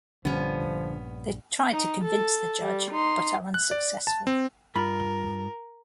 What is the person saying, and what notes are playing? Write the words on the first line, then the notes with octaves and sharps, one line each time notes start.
They try to convince the judge, but are unsuccessful.
A#1 G2 D3 F3 G3 B3 C#4 D4
D#4
A4
G3
D#4 C6
F#6
D5
A5
C4
G2 F4 A#4 B5